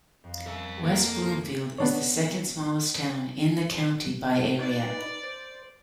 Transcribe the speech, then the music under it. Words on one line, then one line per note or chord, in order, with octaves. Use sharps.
West Bloomfield is the second smallest town in the county by area.
F2
A#4 E5
A2 A#3 A4
B3 D4 C#5
D#4 B4 D5
C5